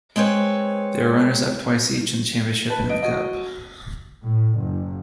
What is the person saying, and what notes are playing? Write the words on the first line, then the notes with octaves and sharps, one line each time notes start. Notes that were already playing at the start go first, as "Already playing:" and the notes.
They were Runners up twice each in the championship and in the cup.
G#3 C4 B4 C#5
B4 A5
D#5 D7
F#4 D#5
A2
F#1